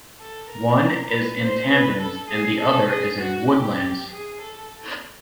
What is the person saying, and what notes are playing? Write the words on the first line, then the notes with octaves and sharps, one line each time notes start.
One is in Tampines and the other is in Woodlands.
A4
A#4
B4
C5
B4
A4
G#4
A4
G#4
F#4
G4
G#4
A4